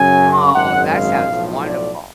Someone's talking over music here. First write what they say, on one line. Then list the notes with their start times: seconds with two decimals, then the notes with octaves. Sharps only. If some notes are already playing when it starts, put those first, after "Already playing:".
Aw, that sounds wonderful.
Already playing: F#2 C#3 F#3 G#5
0.54 G#1 F#2 C#3 G#3 F#5
0.92 F5
1.28 B1 A2 F3
1.65 D5